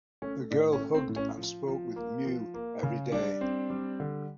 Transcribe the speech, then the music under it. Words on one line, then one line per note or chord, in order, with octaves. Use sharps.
The girl hugged and spoke with Mew every day.
A3 C#4
A2 D4
C#4
A3
C4
A2
C#4
F3
F3
A#3
F3
A#3
C#3
G3 D4
C4
G3
D3